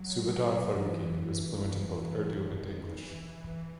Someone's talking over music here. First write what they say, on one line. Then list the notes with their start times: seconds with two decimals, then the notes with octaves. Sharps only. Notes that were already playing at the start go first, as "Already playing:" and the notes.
Subedar Farooqi was fluent in both Urdu and English.
Already playing: F#3
0.73 E3
2.41 D#3
2.84 E3
3.26 E3